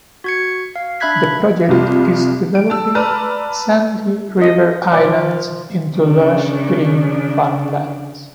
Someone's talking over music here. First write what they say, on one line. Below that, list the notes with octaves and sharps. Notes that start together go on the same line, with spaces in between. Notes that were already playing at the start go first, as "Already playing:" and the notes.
The project is developing sandy river islands into lush green farmlands.
F#4 G#6 C#7
F5
D4 E5 B5 F#6 G#6 B6
C2 F2 G3 F4
D7
A5 E6
B4 D5 A5 A#5 F6
D#5
F3 D5
C#3 D4